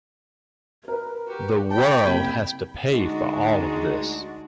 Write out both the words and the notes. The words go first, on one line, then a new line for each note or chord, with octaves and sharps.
The world has to pay for all of this.
A#4 B4
F#4 G4
G5 A5 B5
F#1 C3 G#6
D2 G#3 D4 D#4 F#4